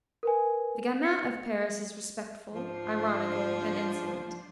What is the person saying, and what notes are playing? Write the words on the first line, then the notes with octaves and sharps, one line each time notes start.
The gamin of Paris is respectful, ironical, and insolent.
A#4 B4 G#5
C#7
G#2 F3 D4 C5